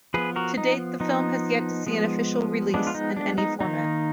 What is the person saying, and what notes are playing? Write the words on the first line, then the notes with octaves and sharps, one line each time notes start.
To date, the film has yet to see an official release in any format.
F3 B3 G#4 B4
F#4 A#4
D#4
F3 B3 D#4
F3 G#3 B3
F3 G#3 B3 D4
F4
D#4
D4
D#4
D#3 A#3 D#4